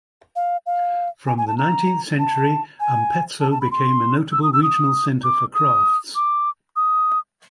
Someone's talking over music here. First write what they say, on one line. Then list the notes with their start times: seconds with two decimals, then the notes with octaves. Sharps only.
From the nineteenth century, Ampezzo became a notable regional centre for crafts.
0.36 F5
0.66 F5
1.27 G#5
1.38 G#5
1.48 A5
1.58 A#5
2.19 A5
2.80 G#5
3.41 A5
3.51 A5
3.61 B5
3.72 C6
4.32 E6
4.43 D#6
4.53 E6
4.63 D#6
5.24 D6
5.54 D#6
6.15 D6
6.76 D#6